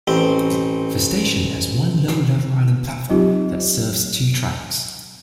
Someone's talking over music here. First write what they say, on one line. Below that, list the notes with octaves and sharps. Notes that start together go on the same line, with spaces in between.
The station has one low-level island platform that serves two tracks.
A1 C4
F#3 C4 D#4 F4 G4